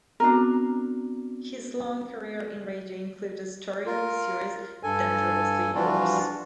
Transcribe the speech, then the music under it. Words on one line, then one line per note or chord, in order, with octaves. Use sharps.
His long career in radio included starring in the series "Dangerously Yours".
B3 C4 D4 F#4 A#4
F4 A#4
G2 A4 G#5
E3 F3 G3 D4 F4 F#4